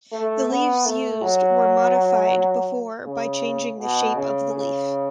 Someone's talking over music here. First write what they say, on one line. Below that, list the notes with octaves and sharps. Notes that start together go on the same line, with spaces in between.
The leaves used were modified before by changing the shape of the leaf.
A3
B3
A3
F#3
C#3
B2
C#3
C#3